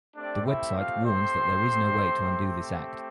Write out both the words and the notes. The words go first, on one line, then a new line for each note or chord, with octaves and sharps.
The website warns that there is no way to undo this act.
A3 C4 D4 G4 D5
E4 E5
F4 F5
C5 C6